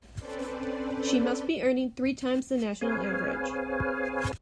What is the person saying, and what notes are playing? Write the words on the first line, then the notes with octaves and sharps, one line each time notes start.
She must be earning three times the national average.
C4 C#4 A4 B4 C5 D5
C4 G#4 B4 C#5 F5 G#5